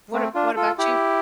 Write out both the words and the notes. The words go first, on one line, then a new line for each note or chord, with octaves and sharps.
What a what about you?
A3 C4
D4 F4
F4 A4
E4 G4